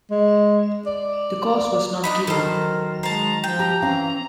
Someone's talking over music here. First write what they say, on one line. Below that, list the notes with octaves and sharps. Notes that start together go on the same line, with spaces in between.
The cause was not given.
G#3
D5
D4 D#4 D#5 B5
D#3 F#3 A4 A#4 C5
G#3 C5 A5 A#5
F3 G5
G4 A#5
E3 C4 C#4 F5 A#5